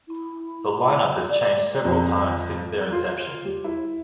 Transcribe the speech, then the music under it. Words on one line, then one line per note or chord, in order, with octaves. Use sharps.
The lineup has changed several times since their inception.
E4
D5
F2
F4
G3
E4